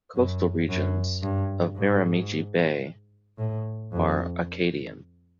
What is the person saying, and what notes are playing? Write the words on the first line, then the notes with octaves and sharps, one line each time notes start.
Coastal regions of Miramichi Bay are Acadian.
F#2
F#2
G2
G#2
A2
F2